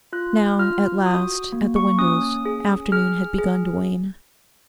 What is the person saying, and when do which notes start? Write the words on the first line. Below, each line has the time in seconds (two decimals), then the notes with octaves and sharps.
Now, at last, at the windows; afternoon had begun to wane.
0.13 F4 F#6
0.59 F4 F6
1.06 F#4 D#6
1.52 A#3
1.76 C#6
1.98 C#4 D#6
2.45 G#4
2.92 G#4 F6
3.38 G#4